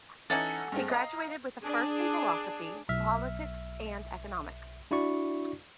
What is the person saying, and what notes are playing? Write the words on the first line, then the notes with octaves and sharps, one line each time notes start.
He graduated with a First in Philosophy, Politics and Economics.
E3 C#4 D#4 A4 F#5 G#5
G2 G#3 C4
D#5 F5 A#5
D4 G#4
B1 E5 F6
D4 E4 F#4 D5 C#6